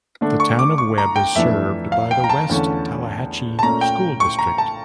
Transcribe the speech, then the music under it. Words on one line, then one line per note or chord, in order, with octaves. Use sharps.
The Town of Webb is served by the West Tallahatchie School District.
D3 A3 D4
C#6
D6
C#6
A#5
G5
F2 E3 A3 D4 E5
F5
G5
A#5
A5
E2 D3 A3 C#4
A5
A#2 A3 C#4 A#5
G5
C#6
A#5
A5